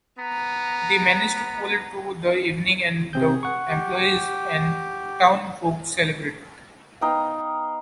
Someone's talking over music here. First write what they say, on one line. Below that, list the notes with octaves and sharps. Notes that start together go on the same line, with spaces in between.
They manage to pull through the evening and the employees and town folks celebrate.
B3 A#5
C3 C4 G#4 G6
F#5 C#6
G4
B3 D#4 F5 G5